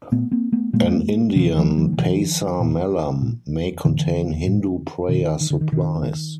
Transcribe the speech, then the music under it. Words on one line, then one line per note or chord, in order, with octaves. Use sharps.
An Indian pasar malam may contain Hindu prayer supplies.
A#2 A3 B3
A#3 C4
A3 B3
A#2 G#3 A#3
B2 D#3 F3
E3 F#3
E3 F#3
E3
B2 D#3 F3
A#2
A#2
A2 D3 E3
A2
B2 D#3
D#3
D3
D#3
B2 D#3